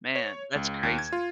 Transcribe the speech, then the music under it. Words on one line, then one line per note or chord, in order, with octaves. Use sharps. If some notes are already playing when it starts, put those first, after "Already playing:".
Man, that's crazy.
C#5
C#2
D#2
G#6
F4